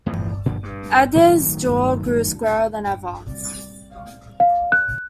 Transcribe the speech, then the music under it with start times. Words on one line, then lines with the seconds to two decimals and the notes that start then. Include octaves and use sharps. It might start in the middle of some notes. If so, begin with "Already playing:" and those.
Adair's jaw grew squarer than ever.
0.06 E2 A2 E3 F3
0.46 A#2 D3 F3 G3
0.63 G2
1.16 A2 D#3 F#3
4.40 F5
4.72 F#6